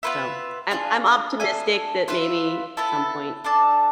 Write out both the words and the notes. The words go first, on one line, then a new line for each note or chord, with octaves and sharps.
So I'm I'm optimistic that maybe some point
B3 F4 B4 E5
D4 F4 G#4
D4 A4 E5 G#5
F4 B4 E5
B3 E4 A4 E5
D4 A4 D5 A5